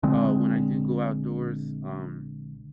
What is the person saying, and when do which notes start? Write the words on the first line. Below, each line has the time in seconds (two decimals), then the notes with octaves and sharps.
uh, when I do go outdoors, um,
0.03 A#1 D3 G#3 C4